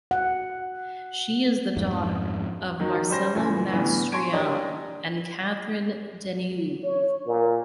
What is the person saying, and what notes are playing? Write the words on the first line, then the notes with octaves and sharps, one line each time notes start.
She is the daughter of Marcello Mastroianni and Catherine Deneuve.
F#5
F2 G#2
D#3 F#3
G3 C#4 C5 A#6
C#2 A#2 E3
A2 D3 E3 G3 B3
G#5 C6 C#6 G#6 D7
D4 G4 A#4 C#5 D#5
C#5
A#2